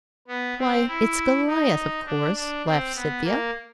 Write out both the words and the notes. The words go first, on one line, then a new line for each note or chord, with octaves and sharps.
"Why, it's Goliath, of course!" laughed Cynthia.
B3
C4
E4
D#4
D4
D4
C4
B3
A#3